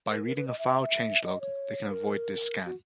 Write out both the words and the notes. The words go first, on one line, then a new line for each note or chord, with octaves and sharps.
By reading a file change log, they can avoid this scan.
A#4
A#4
B4
D#5
E5
D#5
C#5
A#4
F#4